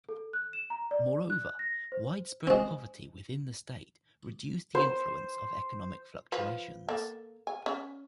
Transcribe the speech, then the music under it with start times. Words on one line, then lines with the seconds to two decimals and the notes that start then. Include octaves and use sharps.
Moreover, widespread poverty within the state reduced the influence of economic fluctuations.
0.09 A4
0.33 F#6
0.53 E7
0.70 A#5
0.91 D5
1.30 F#6
1.59 A#6
1.92 C5
2.47 G#3 C4
4.75 C5
6.32 F3 F4 B4
6.88 A#3 A4
7.47 G#5
7.66 C#4